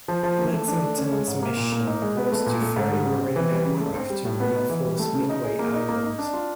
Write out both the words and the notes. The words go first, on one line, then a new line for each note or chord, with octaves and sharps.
"Lexington"s mission was to ferry Marine aircraft to reinforce Midway Island.
F3
F3
A#3
A3
D4
A3
C#4
G#3
G#2
A#3
A#2
A#3
D#4
G#3
B3
A3
A#2
A3
G#2
G3
C#3
C4
E3
G3
C#3
A3
C4
G3
A2
B3
D#4
E3
G3
A3
C#3
D#4
G#4
A#3
D#4
A#3
D#4
D4
F4